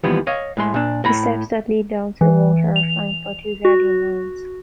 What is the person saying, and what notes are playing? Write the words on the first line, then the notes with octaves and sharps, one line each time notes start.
The steps that lead down to the water are flanked by two guardian lions.
D#2 E3 F3 G3 B3
C#5 D#5 F5
A2 G#3 C6
A#2 D4
A2 A#5 B5
E3
F7
F#4